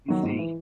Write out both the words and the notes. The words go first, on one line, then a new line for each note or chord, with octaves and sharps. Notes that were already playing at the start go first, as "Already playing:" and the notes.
you see?
D#3 F#3
G#2
E3